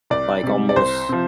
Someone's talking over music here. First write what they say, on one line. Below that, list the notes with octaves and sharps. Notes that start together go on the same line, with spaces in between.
like, almost
C2 D5
C3 G3
D5
C2 C5
C3 F3